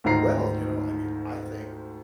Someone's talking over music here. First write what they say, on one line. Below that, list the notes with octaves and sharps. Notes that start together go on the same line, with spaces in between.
Well, you know, I mean, I think,
D2 G#2 D#3 F4 A#5 C7